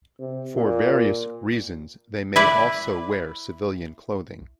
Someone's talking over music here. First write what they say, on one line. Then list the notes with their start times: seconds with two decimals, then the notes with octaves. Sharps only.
For various reasons, they may also wear civilian clothing.
0.19 C3
0.55 A#2
2.36 E4 B4 D5